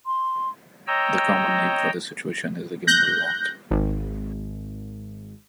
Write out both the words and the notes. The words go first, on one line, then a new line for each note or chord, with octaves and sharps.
The common name for this situation is gimbal lock.
C6
C#5 D#5 G5 A#5 E6
F#6 G6 A#6
G#1